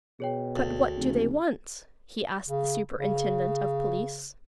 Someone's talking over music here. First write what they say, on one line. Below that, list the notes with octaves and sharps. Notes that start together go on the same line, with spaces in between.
"But what do they want?" he asked the superintendent of police.
B2 G#4 C#5 G5
D2
F1 C#3
C#3
C#3